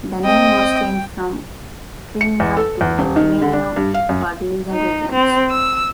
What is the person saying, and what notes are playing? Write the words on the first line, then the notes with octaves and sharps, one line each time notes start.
The name was changed from Chimera to Camino for legal reasons.
C4 D#5 G5
C#7
E2
A4
E2
D#1
D#3
D3
D4
G2
F5
F#2
D#4
C4
E6